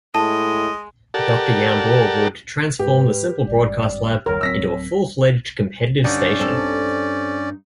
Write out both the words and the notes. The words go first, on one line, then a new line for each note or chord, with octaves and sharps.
Doctor Yambor would transform the simple broadcast lab into a full-fledged competitive station.
A2 G#3 D#5 A5
G4 A4 A#4 D5 F#5 A5
G#2 G4 B4
G#1 G2 D5
F#1 D#2 G3 A#4 C#5
D1 F#3 C4 E6 A#6 B6
G2 D3 C#4 D#4 D5
C4 A4